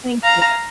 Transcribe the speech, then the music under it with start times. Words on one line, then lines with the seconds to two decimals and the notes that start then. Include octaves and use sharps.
Thank you.
0.23 F5 A#5